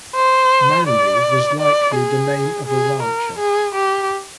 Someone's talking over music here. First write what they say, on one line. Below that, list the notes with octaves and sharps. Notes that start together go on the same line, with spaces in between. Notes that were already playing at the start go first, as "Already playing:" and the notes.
Manley was likely the name of a rancher.
C5
D5
D5
G#4
G#4
A#4
G#4
G4